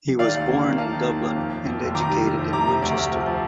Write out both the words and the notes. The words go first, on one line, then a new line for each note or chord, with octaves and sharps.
He was born in Dublin and educated at Winchester.
D#3 D5 F5
D#2
A#3
A#3
A#3 F5 A5
D#3
D#2
A#3
F2
F2
F2
F1
D#3 A#5 D6
G3
G3
F2
C3 A#5 D6
C3
D2
D2
F3
F3